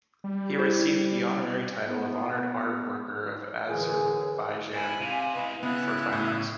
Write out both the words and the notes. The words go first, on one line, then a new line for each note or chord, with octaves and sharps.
He received the honorary title of Honored Art Worker of Azerbaijan for fine arts.
G3
E4 G4 C5
B3
F#2 D3 E3 G#4
E4 G#5
C3 F5
E4 B4 D#5
C#3 B3 E4 G#4 F#6
A2